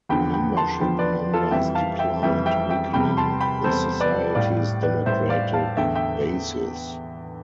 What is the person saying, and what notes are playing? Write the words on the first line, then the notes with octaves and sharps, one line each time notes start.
Membership numbers declined, weakening the society's democratic basis.
E2 D3 F3 G5 B5
G5 B5
A5 C6
E2 D3 F3 G5 B5
B4 D5
F4 A4
F2 E3 G3 E5 G5
F5 A5
E5 G5
F2 E3 G3 E5 G5
E5 G5
E5 G5
E2 C3 G3 G5 B5
A5 C6
G5 B5
E2 C3 G3 A4 C5
B4 D5
A2 G3 D5 F5
B4 D5
A2 G3 C5 E5
D5 F5
F5 A5
E2 D3 A3 E5 G5
E5 G5